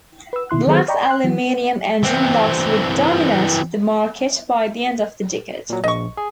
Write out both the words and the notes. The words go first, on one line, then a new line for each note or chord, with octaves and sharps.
Black's aluminum engine blocks would dominate the market by the end of the decade.
B4 E6
B2 D#3 E4 C6 F#6
D#3 F#3 B3 G#4 A4 C5
D5 D#5 G5 A#5 B5 C#6
C6 F#6
E3 F#3 B3
E3 C4
A#2 F#3
A#1 D#5 C#6
G#4